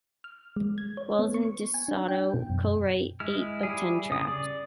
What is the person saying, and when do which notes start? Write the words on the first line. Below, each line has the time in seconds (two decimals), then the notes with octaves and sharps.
Wells and De Soto co-wrote eight of ten tracks.
0.24 F6
0.56 G#3
0.78 G#6
0.97 C#5
1.19 B3
1.34 C#6
1.74 G#5
1.88 D4
2.08 G5
2.34 B2
2.50 F#2
3.20 G#3 E4 F6
3.63 G3 E4 G#4
4.11 C#3 D#6
4.28 D5